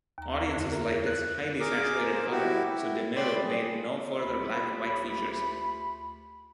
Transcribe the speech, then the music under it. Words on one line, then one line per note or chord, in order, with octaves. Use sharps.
Audiences liked its highly saturated color, so DeMille made no further black-and-white features.
D#2 A#5
F2 D3
E4 G#4 A#4 E5
F#6
G#4 A#4 D6
A#3 C5
E4 F#4 G4
E4
D5 G5 B5 C6
G#4
D2 F4 G4 B5